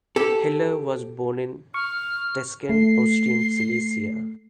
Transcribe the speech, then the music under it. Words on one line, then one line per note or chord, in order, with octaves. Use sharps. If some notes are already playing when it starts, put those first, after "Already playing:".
Heller was born in Teschen, Austrian Silesia.
G4 A4
C#6 F6
A3 C7